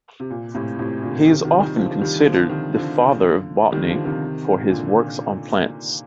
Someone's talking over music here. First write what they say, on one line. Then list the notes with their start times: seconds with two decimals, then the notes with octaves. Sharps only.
He is often considered the "father of botany" for his works on plants.
0.20 C3
0.30 A#2
0.54 A2 C3
0.79 A2 C3
1.03 A#2 D3
1.27 C3 D#3
1.45 C3 D#3
1.60 D#3 G3
1.77 D3 F3
2.00 D#3 G3
2.25 D3 F3
2.49 C3 D#3
2.74 D3 F3
3.72 D#3 G3
3.88 D3 F3
4.05 C3 D#3
4.70 A#2 D3